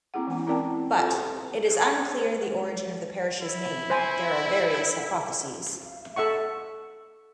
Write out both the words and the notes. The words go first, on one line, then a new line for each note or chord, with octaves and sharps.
But, it is unclear the origin of the parish's name; there are various hypothesises.
A#3 C4 E4 G#4 F#5
E3 G#3 B3 C#4
C4 E4 A#4 D5 G5 A5
F4 A4 F5
C5
G#3
E4
C5 G#5
A4 E5 F#5 C#6